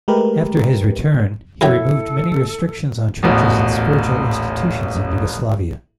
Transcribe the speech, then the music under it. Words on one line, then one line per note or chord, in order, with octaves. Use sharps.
After his return, he removed many restrictions on churches and spiritual institutions in Yugoslavia.
G#3 A3 G4 A#4 B4
F#2 F#3 E4 A4 G5
D#1 A1 B2